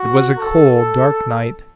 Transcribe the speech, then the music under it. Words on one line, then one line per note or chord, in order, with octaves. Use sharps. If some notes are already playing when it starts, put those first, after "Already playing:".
It was a cold, dark night.
Already playing: F#4
A4